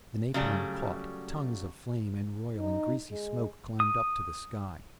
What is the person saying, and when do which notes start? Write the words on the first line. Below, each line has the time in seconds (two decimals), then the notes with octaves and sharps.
The napalm caught, tongues of flame and roiling, greasy smoke climbed up to the sky.
0.34 C#3 F#3 G3 A3
2.58 D#4
3.12 G#3
3.80 D#6